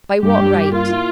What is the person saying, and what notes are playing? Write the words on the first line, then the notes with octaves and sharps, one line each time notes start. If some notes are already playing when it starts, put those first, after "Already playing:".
By what right?
G2 G4
G2
G2
A#3 F4
E4